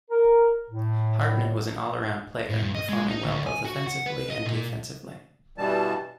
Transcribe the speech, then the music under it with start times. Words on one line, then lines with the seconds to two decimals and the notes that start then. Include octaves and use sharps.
Hartnett was an all-around player, performing well both offensively and defensively.
0.11 A#4
0.70 A2
2.50 A2
2.63 G2
2.75 D#5
2.89 G#3
3.09 D#4
3.24 D2
3.47 G#5
3.65 F#4
3.87 F#5
4.06 B4
4.30 D#5
4.46 A#2
5.58 G2 B2 E3 G3 A5